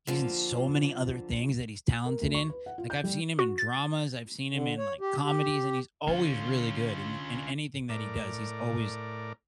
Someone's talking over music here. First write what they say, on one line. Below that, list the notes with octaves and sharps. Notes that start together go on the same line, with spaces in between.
he's in so many other things that he's talented in. Like, I've seen him in dramas, I've seen him in, like, comedies, and he's always really good in in anything that he does, he's always
D3 F3 A#3
A#4
D2
C#6
B4
F#5
F4
G6
G3
F#4
A6
D3
C#5
G4
G4
D3 C#4 F4
A2 A#4 D5